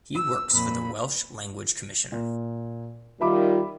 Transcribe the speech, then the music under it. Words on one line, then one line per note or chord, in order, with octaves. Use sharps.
He works for the Welsh Language Commissioner.
E6
F2 A#2 B5
A#2
D#3 G3 F4 E5 B5 D6